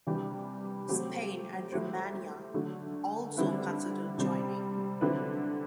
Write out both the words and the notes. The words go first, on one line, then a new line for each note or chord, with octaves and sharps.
Spain and Romania also considered joining.
C3 E3 G3 D4 G4
F#3 A3 C4 G4 C5
A3 E4 G4 C5
D3 F#3 A3
D3 G3 C4 E4 B4
C3 G3 C4
D3 F#3 C4 E4 B4